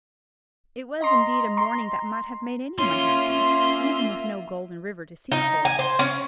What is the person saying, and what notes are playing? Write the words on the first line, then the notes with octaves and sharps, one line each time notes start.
It was, indeed, a morning that might have made anyone happy, even with no Golden River to seek for.
D#5 A#5 C6
A#5 C6
A#3 C#4 F4 E5 C6
D#4
G#5
C5
C#4